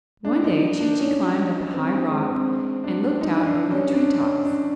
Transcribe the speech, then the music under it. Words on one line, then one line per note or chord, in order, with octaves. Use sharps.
One day Chee-Chee climbed up a high rock and looked out over the tree-tops.
D4
D#4
D4
C#4
C4
D4
G#3
C4
D4
D4
D#4
D4
C#4
D4
C#4
D4